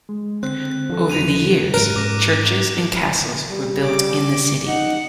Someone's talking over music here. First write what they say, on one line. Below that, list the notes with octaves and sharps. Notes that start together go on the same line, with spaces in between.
Over the years, churches and castles were built in the city.
G#3
D3 C4 F#6
D3 F3 A4
E2 F#3 D#7 F7
G#2 C#4 A#4 F#6 D7
G#2 D6 A#6
G3
D6
D#4 F#5